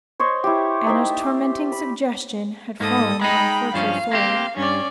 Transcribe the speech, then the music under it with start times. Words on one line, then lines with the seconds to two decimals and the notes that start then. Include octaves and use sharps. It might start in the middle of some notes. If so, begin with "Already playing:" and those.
Anna's tormenting suggestion had fallen on fertile soil.
0.19 C5 C#5 D#5
0.44 E4 G4
0.87 D#4 C5 E5 G5
1.10 D5
1.72 B5
2.80 G#2 A#3 A4 D#6
3.21 G#3 D#4 G5 B5
3.74 G2 F3 C#4 F5
4.11 A#3 C4 G4
4.57 G2 C#4 D5